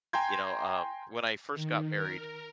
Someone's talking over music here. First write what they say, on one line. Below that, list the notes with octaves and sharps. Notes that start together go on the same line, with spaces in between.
You know, um, when I first got married,
G5 G#5 A#5 C6 G6 G#6
D#3
A#4